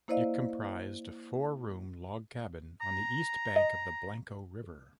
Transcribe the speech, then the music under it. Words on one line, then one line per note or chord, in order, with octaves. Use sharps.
It comprised a four-room log cabin on the east bank of the Blanco River.
A#3 E4 C5 D5 D#5 F5
A#5
D#5